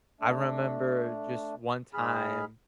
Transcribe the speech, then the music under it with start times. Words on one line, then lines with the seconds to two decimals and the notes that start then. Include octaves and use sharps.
I remember just one time,
0.21 A3 D4
1.94 G#2 G#4 B5 F6